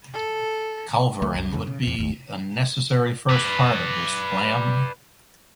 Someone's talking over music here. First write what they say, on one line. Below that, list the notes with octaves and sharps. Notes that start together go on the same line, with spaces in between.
"Culverin" would be a necessary first part of this plan.
A4
D2 A3
C2 F#2
F2 G#2 C#3 E3
C#3
E2 C3
G1 D#2
B4 D5